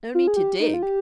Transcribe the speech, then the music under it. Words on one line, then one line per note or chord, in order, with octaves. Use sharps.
No need to dig.
F4
G#4
G4
D#4
F4
G4